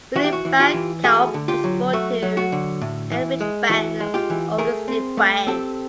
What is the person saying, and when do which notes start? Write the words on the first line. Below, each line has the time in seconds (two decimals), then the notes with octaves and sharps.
Willy Bang Kaup was born to Heinrich Bang and Auguste Bang.
0.16 E3 F#4
0.24 G4
0.33 F#4
0.45 E3
0.60 F4 G4
0.74 E3
1.04 A3 F#4 G#4
1.34 D3
1.48 F4 G4
1.64 F#3
1.93 A3 F#4
2.22 F#3
2.37 F#4
2.52 D3
2.82 A2
3.12 E3
3.41 G#3
3.69 E3 F#4
4.00 G#3
4.14 F4 G4
4.30 E3
4.58 A3 G#4 A#4
4.88 C4
5.17 A3
5.47 C4 G4 A4